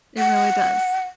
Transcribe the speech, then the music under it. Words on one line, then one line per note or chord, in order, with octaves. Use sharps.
It really does,
F#5